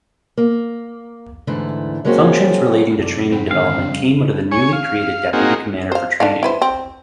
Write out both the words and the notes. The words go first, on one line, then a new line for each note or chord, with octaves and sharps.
Functions relating to training development came under the newly created Deputy Commander for Training.
A#3
G#2 D3 E3 A3 E4
F#3 G#3 A#3 C4 C#4 F#4
F#2 C3 A4 D5
C4 F#5 B5
G#2 D3 D#3 G#3 F5
F2 C#3 G3
C#5 G#5 C#6
F5
A#3 C4 D#4 F#4 G#4
C5 F5
D4 A4 F5
E4 B4 C5
C4